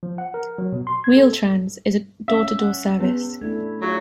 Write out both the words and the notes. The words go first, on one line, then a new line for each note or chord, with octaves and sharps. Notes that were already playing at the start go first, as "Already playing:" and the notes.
Wheel-Trans is a door-to-door service.
F3
F#5
A#4
F#3
B2
C6
G#6
A4
C#4 E5
F#5
B3 B4
A3 D4 E4 G#6
F#3 F4 G#4